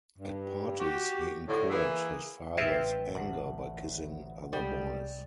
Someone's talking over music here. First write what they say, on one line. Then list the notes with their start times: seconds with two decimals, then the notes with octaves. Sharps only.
At parties he incurred his fathers anger by kissing other boys.
0.19 G2
0.79 F#4 G4
1.48 A2 D3
1.70 E3 A#3 E4 G#4
2.57 A1 C4 E4 F4 B4 E5 G5
3.15 D2 F#5
4.53 C2 G3 G#3